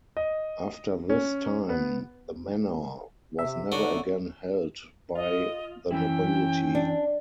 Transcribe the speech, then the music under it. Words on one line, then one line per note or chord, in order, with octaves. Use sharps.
After this time the Manor was never again held by the nobility.
D#5
C#4
B3
C3 E5
D3 D#4 F#4 C#5 C#6
F4 D#5
F#2 E3 C#4 E4 G5
D4